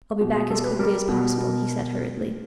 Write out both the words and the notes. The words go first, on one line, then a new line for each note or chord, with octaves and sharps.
"I'll be back as quickly as possible," he said hurriedly.
B2 G4
G#4
G3 A4
B4
G3 A#4
B2
B2